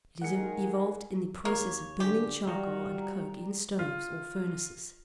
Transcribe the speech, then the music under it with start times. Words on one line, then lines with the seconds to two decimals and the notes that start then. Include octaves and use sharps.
It is evolved in the process of burning charcoal and coke in stoves or furnaces.
0.22 D#3 G#3 G#4 A#4 F#5 C#7
1.45 D#2 A#3 C#5
2.00 D3 F#3 G4 G#4
2.47 G3 F4 F#4 D5 F5 G5 A#5
3.79 F4